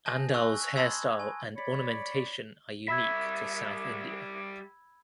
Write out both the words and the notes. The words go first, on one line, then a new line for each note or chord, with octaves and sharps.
Andal's hairstyle and ornamentation are unique to south India.
G#5 A5 D#6 G6 A#6
G#5 C#6 E6 F#6
A5 B5 C6 D#6 E6 G#6
G#5
C#5 D5 B5
G3 E5 B5 E6 G#6